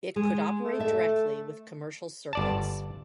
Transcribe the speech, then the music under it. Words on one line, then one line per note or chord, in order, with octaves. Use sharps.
It could operate directly with commercial circuits.
G#3 G#4
A3
A4 E5
G1 D5 A5